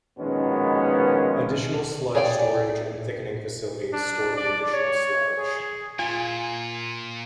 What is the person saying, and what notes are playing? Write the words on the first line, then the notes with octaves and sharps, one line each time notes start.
Additional sludge storage and thickening facilities store the additional sludge.
A#1 B2 D#3 G#3 B3 C#4
G#4 C#5 D5 F#5 G5
D4
D5
C#5
G#4
A#2 F4 G#5